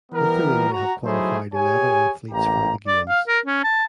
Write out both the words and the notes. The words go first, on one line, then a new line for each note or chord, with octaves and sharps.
Lithuania have qualified eleven athletes for the Games.
E3 G3 B3 A#4
F#4 A#5
F#3 A3 D#4 E4 G#4 C5
G4 G#4 C#5 G#5
A1 A#3 G4 A#5
D5
F5
A#4
C#4
A5